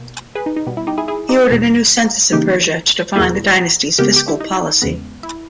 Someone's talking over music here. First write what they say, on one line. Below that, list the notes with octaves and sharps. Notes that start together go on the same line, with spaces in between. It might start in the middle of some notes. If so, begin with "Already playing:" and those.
He ordered a new census in Persia to define the Dynasty's fiscal policy.
Already playing: B2 A#3
G#4 B4
D#4
D#4
B2 G3 B3
E4
D#4 G4
E4 G#4
E4 G#4
D#4 G4
E2 B2 G3 A#3
C#3 E3 A#3 D#4 G4
E2 B2 A#3 E4 G#4
C#3 G#3 B3 G4 A#4
G4
E4
D#4
E2 C#3 G#3 B3
E4